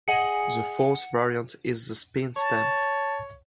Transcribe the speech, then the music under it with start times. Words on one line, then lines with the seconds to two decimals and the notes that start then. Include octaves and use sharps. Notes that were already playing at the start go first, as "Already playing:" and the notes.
The fourth variant is the Spin Stamp.
0.08 G#4 D#5 F#5 C#7
2.36 C#5 A5